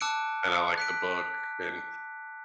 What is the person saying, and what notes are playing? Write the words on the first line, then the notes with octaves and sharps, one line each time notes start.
and I liked the book and
A5 D6 E6 F#6 C#7 D7
F#6 B6 D7